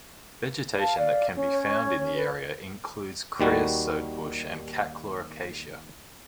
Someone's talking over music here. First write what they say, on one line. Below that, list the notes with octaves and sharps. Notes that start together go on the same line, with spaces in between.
Vegetation that can be found in the area includes creosote bush and catclaw acacia.
F5 A5
D5
C#4
C#5
B4
D#2 D#3 G3 F#4